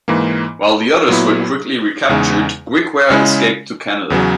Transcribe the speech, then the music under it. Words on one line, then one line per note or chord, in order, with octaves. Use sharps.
While the others were quickly recaptured, Grigware escaped to Canada.
G#2 E3 A#3
A#2 F#3 B3 E4
E2 C#3 G#3 D#4
C#3 G#3 C#4 E4
E2 C#3 F#3